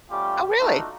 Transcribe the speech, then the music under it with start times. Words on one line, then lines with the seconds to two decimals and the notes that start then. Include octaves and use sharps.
Oh, really?
0.11 G3 A3 C#4 F4 G4
0.60 A3 D4 D#4 F4 F#4 A4